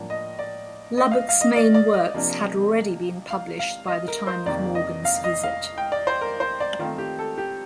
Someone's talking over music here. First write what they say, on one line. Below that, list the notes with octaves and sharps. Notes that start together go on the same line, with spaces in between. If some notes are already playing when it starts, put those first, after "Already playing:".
Lubbock's main works had already been published by the time of Morgan's visit.
Already playing: A2 F3 A#3 D4
D#5
D5
D#5
F5
F5
D#5
D5
D5
D#5
C3 F3 A#3 D4 F4
F5
F5
D#5
A#4
C5
F2 C3 D#3 A#3 D#4 D5
D#5
F5
D#5
F5
G5
D5
C5
A#4
C5
D5
D#3 A3 C4 F4
G4
A4
G4